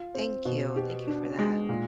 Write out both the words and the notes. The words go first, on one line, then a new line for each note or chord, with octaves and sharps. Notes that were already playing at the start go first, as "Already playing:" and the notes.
thank you, thank you for that,
Already playing: F4
C4
B2
G4
D4
G#3
A#2